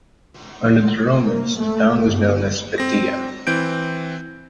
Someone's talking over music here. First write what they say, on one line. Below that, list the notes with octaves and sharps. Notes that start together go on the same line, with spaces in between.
Under the Romans, the town was known as Beatia.
A#3
A3
G1
C4 A#6
E3 C4 G6 D7